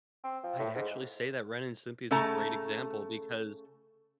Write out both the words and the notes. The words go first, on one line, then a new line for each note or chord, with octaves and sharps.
I'd actually say that Ren& Simpy is a great example because
C4
F3
A2
G#2
C#3 A3 A4 A5 A#5